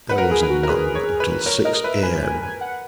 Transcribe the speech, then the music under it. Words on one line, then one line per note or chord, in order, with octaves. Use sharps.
There was none until six A.M.
B4 F#5
A#4
G#4
B4
F#4
A#4
G#4 B4
C#5
B4
A#4 C#5
A#4 D#5
B4 E5
B4 G#5
G#5
G#5
F#5